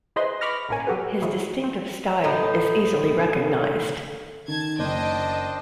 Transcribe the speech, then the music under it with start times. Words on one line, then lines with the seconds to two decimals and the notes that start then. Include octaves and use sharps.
His distinctive style is easily recognized.
0.16 E4 G#4 B4 C5 D#5 C6
0.41 B5 C#6 D6 F6 A#6
0.69 G#1 A2 A#3 C#4 A#4 G#5
0.87 F#3 B3 F#4 G4 A4 B4
1.22 A2 D#3 F3 F#3 E4 G#4
1.64 C4
2.24 A2 D#4
4.48 D#3 A5 G#6
4.79 F#1 D4 C5 D#5 G5 A5